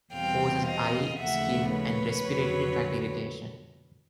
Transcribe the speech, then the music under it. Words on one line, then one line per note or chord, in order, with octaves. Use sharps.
Causes eye, skin, and respiratory tract irritation.
E2 B2 G3 C4 F5 G5
D#5 F5
D#2 C#3 F3 A3 E5 F#5
B4 C#5
F2 D3 F#3